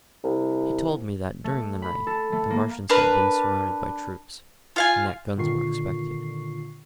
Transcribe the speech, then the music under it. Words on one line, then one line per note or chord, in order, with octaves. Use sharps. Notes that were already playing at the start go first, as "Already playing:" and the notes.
He told me that during the night the Martians had been surrounded by troops, and that guns were expected.
C2
A3
B5
A4
A3
A#3
D4 A#4 B4
F4 F5 G#5
A#2 D3 D#3 F4 C#6 C7